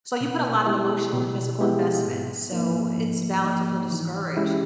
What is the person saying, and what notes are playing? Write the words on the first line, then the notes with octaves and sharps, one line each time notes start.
So, you put a lot of emotional and physical investments, so it's valid to feel discouraged,
B2
G#3 B3 E4 G4
B2
G#3 B3 E4 G4
G#2
F3 A#3 D#4
G#2
F3 A#3 D#4
E3
G#3 C#4 E4 G4